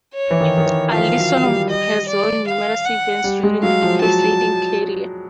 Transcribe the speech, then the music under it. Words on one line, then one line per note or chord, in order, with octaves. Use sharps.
Alison has won numerous events during her sailing career.
C#5
E3
D#3
D#3
E3
F3 F5
F#3
G3
D#5
D5
F5
F#5
G3
G#3
F#3 F5
F3
F#3 A5